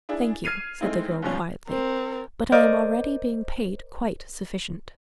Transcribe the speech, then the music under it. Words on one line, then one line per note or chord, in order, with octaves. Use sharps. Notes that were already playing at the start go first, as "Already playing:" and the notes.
"Thank you," said the girl quietly, "but I am already being paid quite sufficient."
D4 E4 G#4
F6 G#6 C7 D#7 F7
G#3 A3 C4 D#4 E4
D#2 G#2 B2 F3 G3 C#4
C4 A#4
A#4 C5 D5 D#5